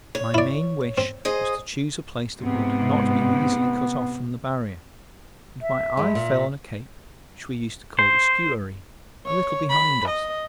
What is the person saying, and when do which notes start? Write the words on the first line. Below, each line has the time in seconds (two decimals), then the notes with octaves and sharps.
My main wish was to choose a place that would not be easily cut off from the Barrier, and my eye fell on a cape which we used to call the Skuary a little behind us.
0.15 C#5
0.34 E4 D5
0.98 C4
1.25 G#4 C5 D#5
2.40 G#2 C3 B3
5.62 E5
5.97 G2 G#3
6.15 A#2
7.99 C5
9.26 C#5
9.70 B5
10.08 D#5